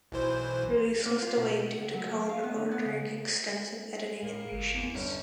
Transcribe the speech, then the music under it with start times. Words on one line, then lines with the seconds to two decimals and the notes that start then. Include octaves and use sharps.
Release was delayed due to Cohn ordering extensive editing and reshoots.
0.12 B1 E3 C5
1.06 A#3
1.22 F4
1.37 B2
1.78 C#2
1.94 F#3
2.11 A#3
2.29 F5
2.44 B3
2.56 D3
2.71 B3
2.85 C#3
4.23 A2 A#3
4.51 G1
4.75 E2
4.94 G1 G2 C#4